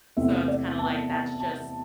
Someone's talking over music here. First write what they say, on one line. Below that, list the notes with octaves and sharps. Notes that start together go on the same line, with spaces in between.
so it's kinda like that's just
E2 C3 E3 A3 C4 E5
D5
A5
A5
A5